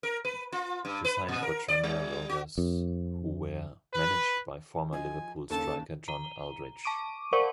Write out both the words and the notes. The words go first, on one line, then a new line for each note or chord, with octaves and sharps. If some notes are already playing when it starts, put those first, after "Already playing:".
He signed for Tranmere Rovers who were managed by former Liverpool striker John Aldridge.
A#4
B4
F4
G2
B4
A#2
A#4
D5
G3
F#4
F2
B4
F3 D#5 G#5
D#2 C#3 A4 A5
A#5 D#7 G7
A5 C#6 D6 D7 D#7
A#4 C5 D5 F5 F#5 C#6